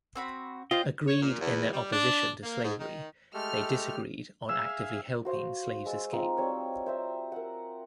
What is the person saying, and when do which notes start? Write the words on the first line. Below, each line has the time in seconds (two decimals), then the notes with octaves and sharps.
Agreed in their opposition to slavery, they disagreed on actively helping slaves escape.
0.15 C4 F#4 B5
0.71 F4 C5 D#5 G5
1.07 C#5
1.22 A#2
1.40 E2
1.73 G3
1.93 D4
2.43 A#3
2.64 G#2
2.80 D#3
3.34 G#3 A3 G4 A4 F6
4.49 G#4 E5 F5 E6
5.25 F#4 C5 F5
5.86 G#3 E6
6.12 C4 D#4 F4
6.37 G3 C4 C#5
6.86 C5 E5 A#5
7.32 A#4 F#5